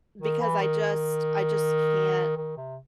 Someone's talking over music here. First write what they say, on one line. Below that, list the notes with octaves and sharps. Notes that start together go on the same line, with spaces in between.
because I just I just can't
D#3
E3
D#3
D#3
C3